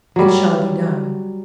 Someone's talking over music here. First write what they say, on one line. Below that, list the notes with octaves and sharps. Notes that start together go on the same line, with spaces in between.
"It shall be done!"
F#3 G3